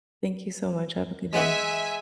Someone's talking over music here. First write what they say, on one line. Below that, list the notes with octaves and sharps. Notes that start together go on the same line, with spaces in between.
Thank you so much, have a good day.
G#3 E5 F#5 G#5 B6